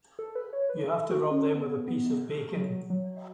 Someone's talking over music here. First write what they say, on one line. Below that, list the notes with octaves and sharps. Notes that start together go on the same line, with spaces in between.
You have to rub them with a piece of bacon.
A4
B4
C#5
B4
A4
F#4
C#4
B3
B3
F#3
F#3